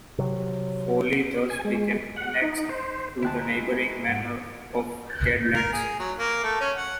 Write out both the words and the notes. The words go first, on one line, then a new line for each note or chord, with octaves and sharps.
Fawley thus became annexed to the neighbouring manor of Cadlands.
C3 F#3
G#5
G#3
F#5
D#4
C5
D2 G#3 E4 G5 A5 F#6
A#5
G#2 C4 F#5
A#4
G#4
F#3
A#3
A3
C#4
F#5